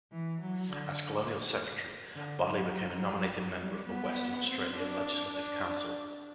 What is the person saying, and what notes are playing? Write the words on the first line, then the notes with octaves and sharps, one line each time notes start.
As colonial secretary, Barlee became a nominated member of the Western Australian Legislative Council.
E3
F#3
D3
D3
F#3
G3
B3
C4
D4
D4